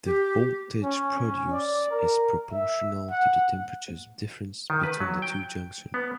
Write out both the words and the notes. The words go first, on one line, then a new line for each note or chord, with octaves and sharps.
The voltage produced is proportional to the temperature difference between the two junctions.
G4
C#4
C#4
D5
A#4
E5
F#5
D#3
B4
F#3
G5
B3